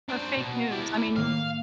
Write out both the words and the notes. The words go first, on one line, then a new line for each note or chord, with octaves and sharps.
Or fake news, I mean,
D4 C5 A#5
B2
E4 D5
A2 D#3 A#3 F5